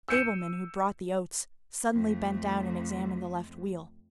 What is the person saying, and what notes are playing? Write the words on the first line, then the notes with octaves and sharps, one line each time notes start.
The stableman who brought the oats suddenly bent down and examined the left wheel.
E6 G6 C#7 D#7 E7
F2 A3